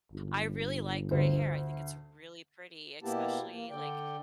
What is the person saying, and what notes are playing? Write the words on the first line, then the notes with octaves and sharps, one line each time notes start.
I really like gray hair. I think it's really pretty, especially, like,
G1
D2 C5
B2 A#3 B3 E4 G4 A5
A#3
D3 D5 G5